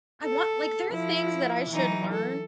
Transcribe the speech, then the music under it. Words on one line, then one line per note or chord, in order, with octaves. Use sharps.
I want, like there are things that I should learn,
A4
F3 E4
E3 F#3 D#4
A4